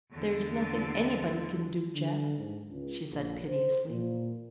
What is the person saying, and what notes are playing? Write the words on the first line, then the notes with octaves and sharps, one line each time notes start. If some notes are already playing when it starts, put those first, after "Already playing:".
"There is nothing anybody can do, Jeff," she said piteously.
E2 D3
D3
G#2
C#2
A#1
C5
A#2